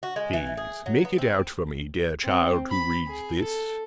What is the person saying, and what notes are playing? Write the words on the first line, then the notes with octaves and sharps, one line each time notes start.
Please make it out for me, dear Child who reads this!
F#4
G#3
E3
G#4
F#3
B3
C4
C4
B5
G#4
A4